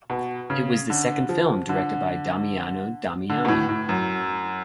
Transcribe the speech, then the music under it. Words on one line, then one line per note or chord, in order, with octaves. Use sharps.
It was the second film directed by Damiano Damiani.
B2
C#3
D3
F3
D3
D3
B2
A2
A2
F#2